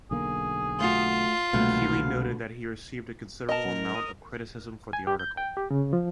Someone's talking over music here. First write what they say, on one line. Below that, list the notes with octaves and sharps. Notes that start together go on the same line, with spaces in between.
Keely noted that he received a considerable amount of criticism for the article.
B1 D3 A#3 G#4
A3 F4 F#4
C2 B2 D3 F#3 A3 A#3 F5
A#4 D#5 A5
F#2
D#6
G#5
G4
G6
G5
G4
C#3
F3